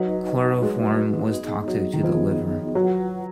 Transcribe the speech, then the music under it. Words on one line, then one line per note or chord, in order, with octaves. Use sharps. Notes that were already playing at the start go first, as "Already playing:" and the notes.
Chloroform was toxic to the liver.
Already playing: F#3 D#4 F#4 B4 D#5
G#3 D#4 F#4 B4 D#5
B3 D#4 G#4 D#5
F#3
D#3
F3 B3 D#4 G#4 D#5
F#3 F4 B4 F#5